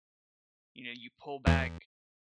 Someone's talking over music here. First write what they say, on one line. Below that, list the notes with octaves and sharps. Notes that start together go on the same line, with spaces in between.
you know, you pull back
E2